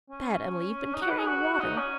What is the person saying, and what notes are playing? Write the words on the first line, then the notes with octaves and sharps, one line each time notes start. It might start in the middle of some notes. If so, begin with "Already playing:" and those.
Bad Emily, you've been carrying water.
C#4
D#4
F#4
B4
G#4
F#4
F#4
D#4
C#4